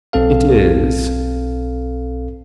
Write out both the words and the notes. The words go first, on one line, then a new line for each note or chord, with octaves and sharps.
It is.
B1 C4 A4 F5